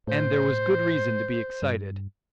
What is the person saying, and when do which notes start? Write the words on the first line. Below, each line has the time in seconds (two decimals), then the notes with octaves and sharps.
And there was good reason to be excited!
0.07 A2 C5
1.62 G2